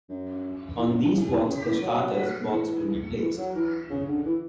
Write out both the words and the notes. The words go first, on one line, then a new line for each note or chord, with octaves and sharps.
On these walks the starter's box will be placed.
F#2
E2
F#2
G2
A2
E3
C#3
E3
F#3
E3
E3
F#3
E3
C#3
D3
E3